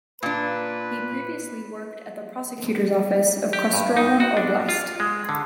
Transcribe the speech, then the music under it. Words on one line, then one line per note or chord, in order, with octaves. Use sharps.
He previously worked at the Prosecutor's Office of Kostroma Oblast.
A#2 D4 B4
G4
G2
D#4
F#4
D4
F4
G#3
D3